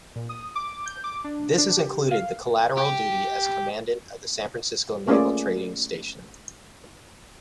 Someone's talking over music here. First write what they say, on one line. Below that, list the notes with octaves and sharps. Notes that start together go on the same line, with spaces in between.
This included the collateral duty as commandant of the San Francisco Naval Training Station.
A#2
D#6
D6
G6
D6
D4
D4
G4
F5
G4
A3 A#3 C#4 F4 G#4 D5